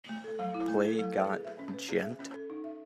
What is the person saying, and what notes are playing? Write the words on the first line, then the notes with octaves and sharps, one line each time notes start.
Play Got Djent?
A3
A4
F#3
E4
A3
A4
F#3
B4
G#4
E5
C#4
B4
G#4
E5
C#4
A4
D#4
E5